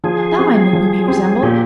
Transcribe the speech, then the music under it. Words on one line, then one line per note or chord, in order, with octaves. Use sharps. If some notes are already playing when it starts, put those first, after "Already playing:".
Now I knew whom he resembled.
F3 G#4
C4 G4
F3
C4 G4
A#2 G4